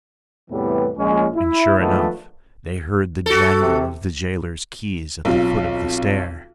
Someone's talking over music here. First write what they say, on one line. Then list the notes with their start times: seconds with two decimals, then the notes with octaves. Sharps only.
And sure enough, they heard the jangle of the jailer's keys at the foot of the stair.
0.50 E2 A2 C3 E3 G3 B3
0.97 A#1 G#3 C#4
1.35 E4
1.79 D#3 F3 G#3 A3 B3 D4
3.26 F#4 A4
3.61 C3
5.25 B1 C4 F4